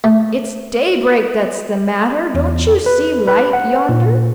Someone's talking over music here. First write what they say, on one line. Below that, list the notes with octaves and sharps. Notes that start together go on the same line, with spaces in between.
"It's daybreak that's the matter; don't you see light yonder?"
A3
E2
B4
B4
F#5
A#2